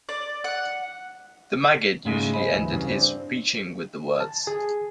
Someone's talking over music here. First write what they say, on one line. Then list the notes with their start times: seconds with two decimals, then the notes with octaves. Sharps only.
The maggid usually ended his preaching with the words.
0.09 D5
0.44 F#5
2.05 G#2 C#3 G#3 A3
2.33 C5 D#5 G#5 B5
2.52 D2 E3
2.72 G2 C#3
2.88 C4 D4
4.20 A5
4.47 G#4